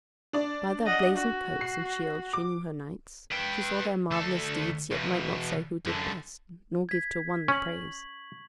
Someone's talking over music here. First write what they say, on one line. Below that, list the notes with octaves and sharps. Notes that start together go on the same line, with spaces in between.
By their blazoned coats and shields she knew her knights; she saw their marvellous deeds, yet might not say who did best, nor give to one the praise.
D4 D5
D#5 F#5
F#4
C7
D6
B4 G5
D2 A4
E2 B2
F#2 D3
G#6 B6
C#4 C#6 F#7